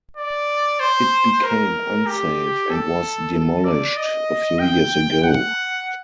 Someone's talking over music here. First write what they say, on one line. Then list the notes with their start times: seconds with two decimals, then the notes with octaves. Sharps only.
It became unsafe and was demolished a few years ago.
0.17 D5
0.80 C5
1.43 A#4
2.06 G4
2.70 A4
3.33 A4
3.65 D5
3.97 D#5
4.59 G5
5.23 F#5